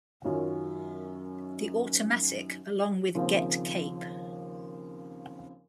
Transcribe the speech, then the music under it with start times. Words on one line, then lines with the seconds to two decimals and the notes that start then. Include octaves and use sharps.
The Automatic along with Get Cape.
0.24 F#2 D#3 F#3 C#4 F4
3.15 D#2 C#3 F3 C4